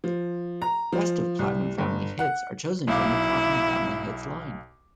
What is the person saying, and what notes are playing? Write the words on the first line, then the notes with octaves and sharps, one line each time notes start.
Best of Platinum Family Hits are chosen from the Platinum Family Hits line.
F3
A#5
F3
C2
G1
F#5
B1 E4 F5 D6